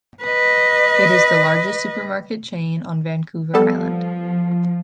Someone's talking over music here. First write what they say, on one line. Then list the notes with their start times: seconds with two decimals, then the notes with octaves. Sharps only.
It is the largest supermarket chain on Vancouver Island.
0.23 B4 D#5
3.54 F3 G3 B3 A4